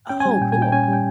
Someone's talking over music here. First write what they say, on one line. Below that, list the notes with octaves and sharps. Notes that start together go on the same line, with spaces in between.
Oh, cool.
C#4 G5
G#5
G3
G#5
A#2 G5
G#5
A#2 G5
C#4 G#5
G#5
G3 G5